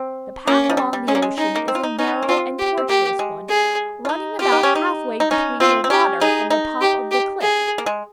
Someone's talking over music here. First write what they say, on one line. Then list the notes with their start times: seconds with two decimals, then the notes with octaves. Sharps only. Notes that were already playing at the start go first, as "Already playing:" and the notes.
The path along the ocean is a narrow and tortuous one, running about halfway between the water and the top of the cliff.
Already playing: C4
0.47 A#3 C#4
0.70 F3
0.77 G3
0.93 G3
1.07 G#3 C#4
1.15 A#3
1.22 G#3
1.38 G#3 D#4
1.56 A#3
1.68 C4
1.75 F4
1.83 D#4
1.99 C#4 D#4
2.23 A#3
2.29 C4 F4
2.59 G4
2.78 C4
2.89 A#3 G4
3.19 G#3
3.49 G#4
4.05 F4
4.09 D#4
4.39 F4 G4
4.52 D#4
4.63 C#4
4.75 D#4
5.20 D#4
5.31 C#4 D#4
5.60 C4 F4
5.84 C4
5.90 C#4 G4
6.21 D#4 G#4
6.50 D#4
6.81 G4
7.11 G4
7.41 G#4
7.78 A#3
7.86 G#3